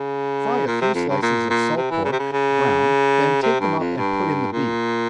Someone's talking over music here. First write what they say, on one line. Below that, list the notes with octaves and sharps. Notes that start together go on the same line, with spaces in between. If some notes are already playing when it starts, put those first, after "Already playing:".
Fry a few slices of salt pork, brown, then take them up and put in the beef.
Already playing: C#3
A#2
C3
F2
G2
A#2
A#2
C3
E3
C#3
C3
C#3
C#3
C3
G2
F2
G2
A#2